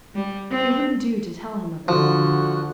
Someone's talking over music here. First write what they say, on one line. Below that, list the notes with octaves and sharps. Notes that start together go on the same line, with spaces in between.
It wouldn't do to tell him of the girl.
G3
C4
D3 F3 F#4